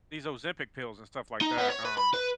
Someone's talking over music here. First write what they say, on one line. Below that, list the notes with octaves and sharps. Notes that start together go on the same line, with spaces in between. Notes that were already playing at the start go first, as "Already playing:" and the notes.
these Ozempic pills and stuff like that, um
D#4
B3
C#5
B4
B5
B4